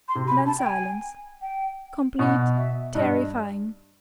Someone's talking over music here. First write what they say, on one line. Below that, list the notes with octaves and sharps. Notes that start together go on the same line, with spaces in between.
And then silence,--complete, terrifying.
C6
C3
B5
A5
G5
G#5
G5
B2 F#5
E5
G2 D#5